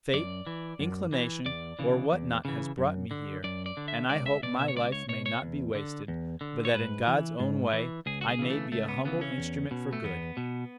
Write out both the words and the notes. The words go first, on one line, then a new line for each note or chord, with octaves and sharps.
Fate, inclination, or what not has brought me here, and I hope my life may not be wasted, but that in God's own way, I may be a humble instrument for good.
F#2 D5
E3
F#2
E3
E2 D5
C#3 E3
E2
C#3 E3
F#2
D3
F#2 D5
D5
D3
E5
C#2 D5
E5
B2 D5
E5
C#5
C#2 D5
C#5
B2 C#5
C#5
E2
D3
E2
D3
C#5
G#2 B4
E3
G#2
E3
C#2 G#4
F#4
G#4
C#3 E3
A3
C#2 A3
B3
C#3 E3 B3
C#4
E2
B2
A3
E2 B3
B2